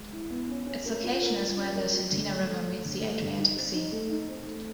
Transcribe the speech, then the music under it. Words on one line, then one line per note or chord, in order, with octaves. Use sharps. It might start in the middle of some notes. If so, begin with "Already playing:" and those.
Its location is where the Cetina River meets the Adriatic Sea.
Already playing: G#3
E4
B3
C#4
C#4
A#4
F4
A#4
F4
C#4
A#4
F#3
D3
A3
A3
A3
D3
A3
D3
D#4
C4
D#4
A3
D#4
C4
A3